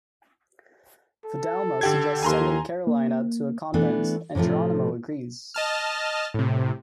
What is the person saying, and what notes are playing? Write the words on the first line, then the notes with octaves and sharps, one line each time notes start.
Fidalma suggests sending Carolina to a convent, and Geronimo agrees.
A4
D3 G4 G#6
D#2 G#5 A#5 C6
A#3
E3 A3 B3 D4
A2 C3 D#3 F3 A3
D#5 A5 F6
A2 C3